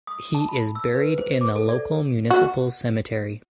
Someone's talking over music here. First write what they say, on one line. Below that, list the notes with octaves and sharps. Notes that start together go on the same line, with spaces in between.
He is buried in the local municipal cemetery.
D#6
A5
B5
E6
B4
C5
D6
A4
D5
F#4